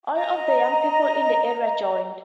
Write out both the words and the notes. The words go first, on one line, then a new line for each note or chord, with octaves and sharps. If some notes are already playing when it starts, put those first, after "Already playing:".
All of the young people in the area joined.
D#5 A#5